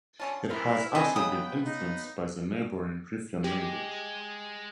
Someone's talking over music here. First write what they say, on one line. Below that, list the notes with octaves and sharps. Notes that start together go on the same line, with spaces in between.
It has also been influenced by the neighboring Riffian language.
D3 C#4 F4 A5
C4 E4 F4 A#4 B4 F5
E3 G3 C4 D#4 G#4 A4 D#5
C#3 F#3 G#3 B3 G5 D#6
D#4
G#3 G4